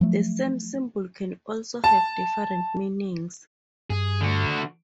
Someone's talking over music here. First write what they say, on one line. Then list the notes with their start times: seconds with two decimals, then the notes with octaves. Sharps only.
The same symbol can also have different meanings.
0.01 F3 F#3 A3
1.84 A5
3.90 G2 G#4
4.21 D3 F#4